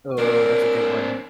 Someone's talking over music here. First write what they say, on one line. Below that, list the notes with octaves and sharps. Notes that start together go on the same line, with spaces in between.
Oh, that's a good one.
C4 D4 A#4